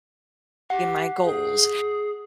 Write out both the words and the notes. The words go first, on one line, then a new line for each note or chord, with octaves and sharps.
my goals.
G4 F#5
G#4